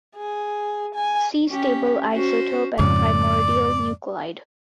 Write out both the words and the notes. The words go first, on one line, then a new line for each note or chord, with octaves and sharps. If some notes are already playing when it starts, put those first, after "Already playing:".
See stable isotope and primordial nuclide.
G#4
G#5
C#4 G4
C#4 F#4 C5
F2 G#2 C#3 D5